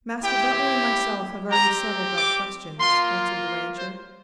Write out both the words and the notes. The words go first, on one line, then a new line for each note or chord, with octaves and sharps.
"Master Butler and myself have already settled that question," answered the rancher.
C4 E4 G4 G5
C4 G4 A#5
D6
A#3 F4 C6
C5